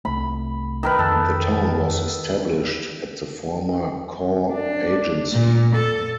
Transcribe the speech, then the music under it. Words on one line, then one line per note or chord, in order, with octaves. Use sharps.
The town was established at the former Kaw Agency.
C2 A3 B5
D#3 A#4 B4
F2 D#3 A4
D4
A#2
A4